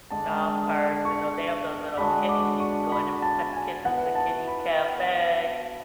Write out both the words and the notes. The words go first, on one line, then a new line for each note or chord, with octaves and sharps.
Dog parks, you know, they have those little kitten, you can go in and pet the kitten, the kitty cafe
D3 G#3 D4 A5
C#6
D3 G#3 D4 F#4 B5
D6
C#6
B5
A5
G#5
E3 B3 F#4 F#5
A5
B5